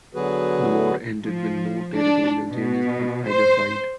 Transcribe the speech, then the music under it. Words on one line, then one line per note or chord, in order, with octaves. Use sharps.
The war ended with no territorial changes on either side.
D3 F#3 B3 F#4 G#4 B4
F3
D4
B2
C5